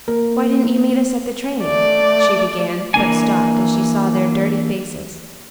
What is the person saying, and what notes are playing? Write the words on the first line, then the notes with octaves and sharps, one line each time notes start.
"Why didn't you meet us at the train?" she began, but stopped as she saw their dirty faces.
A#3 A#4
A3 D5
E3 A#3 D4 G#5